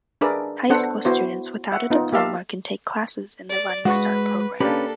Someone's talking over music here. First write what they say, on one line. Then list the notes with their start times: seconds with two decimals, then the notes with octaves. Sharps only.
High school students without a diploma can take classes in the Running Start program.
0.21 D4 G#4 A#4 B4 D5 E5
0.70 B3 D4 A4 C5 F#5
1.05 B3 E4 F#4 C5
1.72 E5 F#5
1.90 B3 D#4 F4
2.13 A#3 G4 E5 F5 A5
3.50 D5
3.85 G#3 F#4 B4 C#6
4.60 A#3 C#4 D4 G4 A4 B4